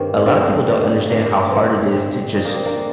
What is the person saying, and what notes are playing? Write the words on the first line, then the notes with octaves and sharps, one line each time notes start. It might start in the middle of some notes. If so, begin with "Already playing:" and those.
a lotta people don't understand how hard it is to just
Already playing: G2 D#3 A#3 C4
G2 D3 G#3 C4
G2 D3 G#3
G2 D3 G#3 A#3
G2 D3 G#3 C4
D3 G#3 C4
D3 G#3 C4 D#4
A#3 D4
C4
A#3 D4
D3 G#3